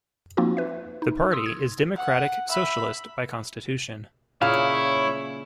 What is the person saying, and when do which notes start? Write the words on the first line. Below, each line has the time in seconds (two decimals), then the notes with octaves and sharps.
The party is democratic socialist by constitution.
0.37 F3 A#3 C4 D#4 F4 F#4
0.57 B4 E5
1.02 D#4
1.32 C6 D#6 E6
1.46 G#6
1.96 F#5
2.48 E5 B5
4.42 A#2 C#3 E4 G#4 C#5 F5